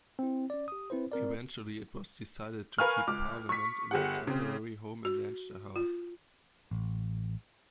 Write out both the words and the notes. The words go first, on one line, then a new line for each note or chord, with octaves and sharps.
Eventually it was decided to keep parliament in its temporary home in Leinster House.
C4 E4
C#4 D5
G4 D#6
C4 E4 B4 C5
C4 A#4 D5
A#4 B4 F5 G#5 C#6 F6
C#2 D6
C#6 B6
G1 G4 G#4 F#5
C#3 C4
F#4
F4
A1